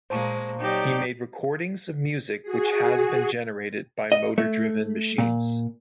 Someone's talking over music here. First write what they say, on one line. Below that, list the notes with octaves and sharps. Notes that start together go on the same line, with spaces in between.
He made recordings of music which has been generated by motor-driven machines.
A#2 G#3 A#3 C5 A5 C#6
F#3 D#4 G4 D5
F#4 G#4
D#5
A3
A#2